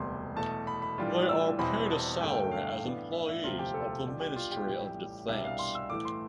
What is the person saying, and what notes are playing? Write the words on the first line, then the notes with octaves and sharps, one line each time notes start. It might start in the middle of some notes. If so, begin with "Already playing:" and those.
They are paid a salary as employees of the Ministry of Defense.
Already playing: E1 D2 C3 G3 B3 C6
E2 B2 A3 A5
B5
B5
A2 E3 G3 D4 F4
E6
E2 B2 G3 C4 E4 B5
A5
G2 D3 A3 G5
G5
F5
A2 E3 B3 D4
E5
E5
E1 D2 C3 F3 C4 F4
G4
A4
B1 B2 G3 D4 F4 G4
G4
F4
G4
A1 A2 G3
C2 B2 G3 D4 E5
F5
C6
E6
A2 E3 A3 D6
C6